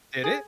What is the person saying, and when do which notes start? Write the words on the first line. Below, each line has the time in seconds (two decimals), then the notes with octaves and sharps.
Did it?
0.24 G#4